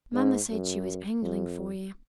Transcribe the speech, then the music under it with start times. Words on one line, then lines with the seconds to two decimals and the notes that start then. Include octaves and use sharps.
Mamma said she was angling for you.
0.14 G#2
0.50 F#2
1.22 F2